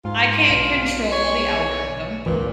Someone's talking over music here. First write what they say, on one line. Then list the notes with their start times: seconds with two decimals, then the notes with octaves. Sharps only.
I can't control the algorithm,
0.05 G#2 F4
0.49 B1
1.12 C#5
2.26 G#1 C#2 A#2 E3